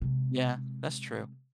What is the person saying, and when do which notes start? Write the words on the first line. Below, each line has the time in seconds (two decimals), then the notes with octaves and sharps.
Yeah, that's true
0.02 C3 G#3